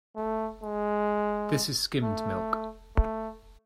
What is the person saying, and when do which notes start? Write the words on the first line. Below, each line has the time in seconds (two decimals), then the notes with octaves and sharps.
This is skimmed milk.
0.16 A3
0.62 G#3
2.03 A3
2.96 A3